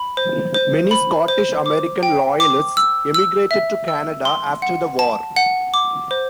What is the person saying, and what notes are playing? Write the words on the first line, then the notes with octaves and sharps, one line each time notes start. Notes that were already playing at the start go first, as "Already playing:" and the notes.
Many Scottish American Loyalists emigrated to Canada after the war.
Already playing: B5
C5
C5
B5
C5
D6
G5
D6
E6
E6
E5
E6
C6
F#5
A5
F#5
D6
C5